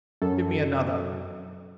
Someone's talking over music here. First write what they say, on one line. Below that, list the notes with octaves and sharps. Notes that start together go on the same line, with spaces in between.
"Give me another!"
F#2 A4